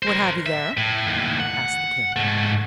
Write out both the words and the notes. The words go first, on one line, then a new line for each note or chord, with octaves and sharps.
"What have you there?" asked the king.
A#4 C5
E5
A2
D#2 A2
F#5
G#2 A3